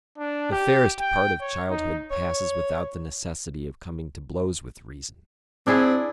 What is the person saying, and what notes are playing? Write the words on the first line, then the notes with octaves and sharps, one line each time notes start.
The fairest part of childhood passes without the necessity of coming to blows with reason.
D4
G4
G5
C#5
D#4
C#5
C4 D4 E4 G#4